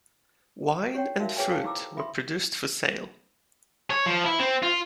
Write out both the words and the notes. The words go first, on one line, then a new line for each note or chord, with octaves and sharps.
Wine and fruit were produced for sale.
G4 C#5 F#5 G5
D#4 F#4 A#4 E5 F5
G#4 B4 C#5 G5 G#5
A4 C5 F5 A5
D#4 E4 G4 A#5 D6 E6
E5 B5 C6
C#5
F3
E4
C4
F4